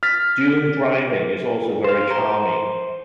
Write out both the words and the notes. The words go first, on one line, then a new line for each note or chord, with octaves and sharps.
Dune driving is also very charming.
F6 A6 B6
C5 F5
C5 A#5 C6